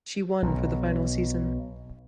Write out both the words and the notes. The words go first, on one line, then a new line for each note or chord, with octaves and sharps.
She won for the final season.
B1 B2